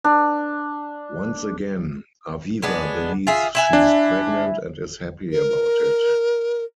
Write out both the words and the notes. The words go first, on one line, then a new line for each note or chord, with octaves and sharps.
Once again, Aviva believes she is pregnant and is happy about it.
D4
G#3 B3 D4
F4 G#4 E5
E4 E5 G#5
D4
A#4